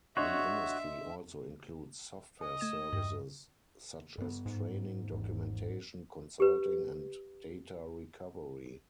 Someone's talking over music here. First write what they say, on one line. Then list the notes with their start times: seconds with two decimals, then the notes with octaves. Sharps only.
The industry also includes software services, such as training, documentation, consulting and data recovery.
0.17 D4 F#4 C#5 D#5 E5 C6
2.41 D#5 G#5
2.60 A3 G#6 E7
2.93 E2 G2
4.18 G2 B3
4.46 G#2
5.12 G#1 E2
6.40 G4 B4